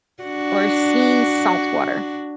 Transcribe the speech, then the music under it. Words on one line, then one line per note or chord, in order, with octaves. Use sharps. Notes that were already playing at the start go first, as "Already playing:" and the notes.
or seen saltwater.
D4 F#4